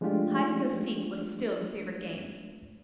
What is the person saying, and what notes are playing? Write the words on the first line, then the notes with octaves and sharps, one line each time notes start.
Hide-and-go-seek was still the favorite game.
F3 G#3 A3 D4 F4 G4